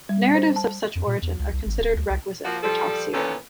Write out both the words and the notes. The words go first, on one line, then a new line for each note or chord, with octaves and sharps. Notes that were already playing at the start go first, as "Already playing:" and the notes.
Narratives of such origin are considered requisite for tafsir.
G3
C5
A5
F2
A#2
E2
C#2
C2
G#1
D1
D2
C2
F3 A#3 F#4
F3 G3 A4
A#2 D#3 E3 B3 C#4 A4